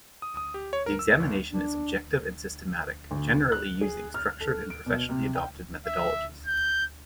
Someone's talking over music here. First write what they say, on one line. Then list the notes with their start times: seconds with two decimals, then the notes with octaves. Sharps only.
The examination is objective and systematic, generally using structured and professionally adopted methodologies.
0.22 D#6
0.37 D#6
0.54 G4
0.73 C#5
0.86 A#4
0.99 E6
1.20 G1
1.51 D4
3.11 D2
3.52 F#6
3.81 G#4
4.14 F6
4.40 A4
4.70 D7
4.86 B2
5.09 C3
5.35 G5
5.86 E5
6.47 G6